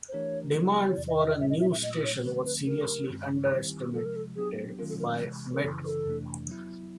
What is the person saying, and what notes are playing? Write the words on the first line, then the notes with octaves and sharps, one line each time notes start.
Demand for the new station was seriously under-estimated by Metro.
C5
E3 A3 D4 G4 A#4 C#5
C#3 F#3 B3 E4
C#5
E2 C3 D#3 D5
D#5
E5
E5
A#2 G3 C4 E4 G#4 E5
D#5
E5
E5
A#2 F#3 A3 D#5
C#5
D3 F3 A3 C4 B4
B4
C#3 F#3 A3 D4 G4 A#4
G2 D#3 G#3
D#3 G3 C4 E4 G4
C3 F3 G#3 A4
A#4
A4
F#3 B3 D4 G4 G#4
D#3 F#3 A3 C#4 F4 A#4
A4
A#4
C3 E3 G#3
A#4
F#2 C#3 E3 A4
A4
F2 C3 E3 A3 D4
F#3 B3 E4